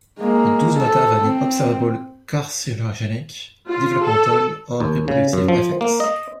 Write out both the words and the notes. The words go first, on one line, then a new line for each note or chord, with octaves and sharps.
It does not have any observable carcinogenic, developmental, or reproductive effects.
G#3 A#3
A4
C4
F4
A4
D#2
C#3
F#2
F3
A#3
D#5